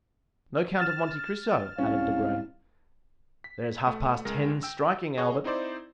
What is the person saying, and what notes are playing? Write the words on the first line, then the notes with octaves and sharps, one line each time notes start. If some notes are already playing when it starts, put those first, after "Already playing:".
"No Count of Monte Cristo" added Debray. "There is half-past ten striking, Albert."
F6 A6 E7
C2 C#4 F5
B6
A3
C#2 G#3 A#4 A#6
G5 E6
G#4 C#5 D#5 F#5
C4 D#4 E4 C5 D5